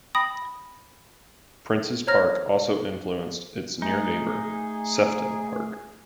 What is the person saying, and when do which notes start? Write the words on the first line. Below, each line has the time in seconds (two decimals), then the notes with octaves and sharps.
Prince's Park also influenced its near neighbour, Sefton Park.
0.15 G5 B5 D#6 A#6
2.07 C5 C#5 A#5 F6 A#6
3.82 A3 D#4 G#4